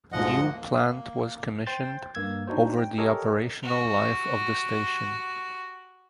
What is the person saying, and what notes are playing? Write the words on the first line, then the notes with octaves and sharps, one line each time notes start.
New plant was commissioned over the operational life of the station.
D2 G#2 F3 D#5 F#5
A#3
C5 G5 C6 G6 A6
G2 A#3 E6 G#6
C4 D4 D#4 F#4 C5
G5
G4 A4 A#4 C#5 D#5 G#5
F#4 G4